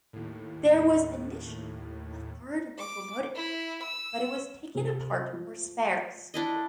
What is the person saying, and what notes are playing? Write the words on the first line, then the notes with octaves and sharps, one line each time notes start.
There was initially a third locomotive but it was taken apart for spares.
D#2 A2
D6
E4
E6
C3
F3
D4 E4 D#5